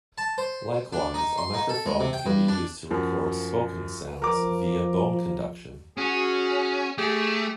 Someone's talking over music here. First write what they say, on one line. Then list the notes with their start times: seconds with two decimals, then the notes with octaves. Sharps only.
Likewise, a microphone can be used to record spoken sounds via bone conduction.
0.18 A5
0.38 C5
0.93 D4
1.14 D#4
1.38 C6
1.54 D#4
1.69 A4
1.86 G#3
2.00 C3
2.13 G5
2.26 G2
2.48 D4
2.91 F#2 F3
4.22 F3 A#4 D6
5.97 C#4 F#4 G#4
6.98 A3 G4 G#4